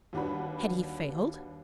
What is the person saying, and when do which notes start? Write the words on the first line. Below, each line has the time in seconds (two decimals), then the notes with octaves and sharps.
Had he failed?
0.13 D#2 G3 D4 F#4 B4 B5